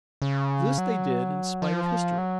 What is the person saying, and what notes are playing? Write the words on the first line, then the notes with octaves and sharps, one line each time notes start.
This they did in spite of history.
C#3
F#3
F3
F#3